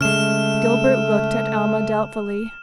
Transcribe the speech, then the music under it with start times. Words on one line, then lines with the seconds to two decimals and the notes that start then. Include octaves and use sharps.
Gilbert looked at Alma doubtfully.
0.01 C#3 G#3 A3 F6 E7